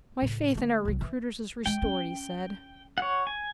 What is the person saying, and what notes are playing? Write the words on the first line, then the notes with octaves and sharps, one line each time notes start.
"My faith in our recruiters is restored," he said.
A2 C#3
D3 A3
C2 F#3
E3
G#3 G5
C#4
C#5 F#5
G#5